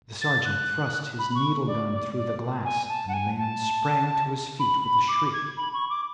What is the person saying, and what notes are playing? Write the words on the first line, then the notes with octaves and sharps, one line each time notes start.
The sergeant thrust his needle-gun through the glass, and the man sprang to his feet with a shriek.
A6
F#6
B5
C#6
D5
D5
D5
G#5
A5
F#5
G#5
A5
B5
B5
D6
G#6
B5
C#6
D6